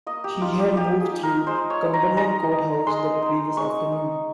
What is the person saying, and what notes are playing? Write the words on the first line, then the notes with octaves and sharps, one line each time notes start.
He had moved through Cumberland Court House the previous afternoon.
A#3 D#5
G4
D#4 F4
G4
A#3 G4
G#4
D#4
A#4
G#3 C5
C#5
D#4
A#5
G#3 A#5
D#4
G#3 C6
D#4
G#3 C#6
D#4